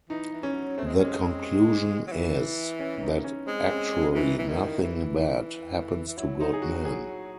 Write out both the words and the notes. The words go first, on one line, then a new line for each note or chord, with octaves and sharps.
The conclusion is that actually nothing bad happens to good men.
E3 D#4
E3
C#4
F#3
A3 C4
G#3
F#3
G#3 C#4
C4
F#3
E3
C#4
D#4
C#4
G#3 C4
C4
C#4
C#4
E3 D#4
E3
D#3 E4
E3
E3
F#3 E4
D#4
G#4
F#4
G#4